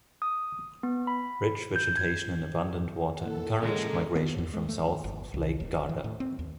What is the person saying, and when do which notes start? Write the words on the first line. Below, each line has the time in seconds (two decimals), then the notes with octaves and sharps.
Rich vegetation and abundant water encouraged migration from south of Lake Garda.
0.22 D#6
0.83 B3
1.07 B5
1.76 G6
1.97 G#6
3.21 A#3 E4 A4 F#5
3.62 D3 E3 G#3 C#4 A#4
4.16 B3
4.38 E2
4.54 G#3
4.69 A3
4.82 D#2
5.04 G1
5.34 C2
5.60 D#1
5.89 E3
6.04 A2
6.20 C4
6.39 D#2